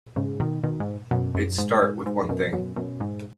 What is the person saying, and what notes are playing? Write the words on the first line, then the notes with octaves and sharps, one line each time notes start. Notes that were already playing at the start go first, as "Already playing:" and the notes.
It start with one thing.
G#2 C#3
B2 D#3
B2 D#3
G#2
F#2 B2
F#2
G#2
G#2
G#2
F#2 B2
F#2 B2
F#2 B2
G#2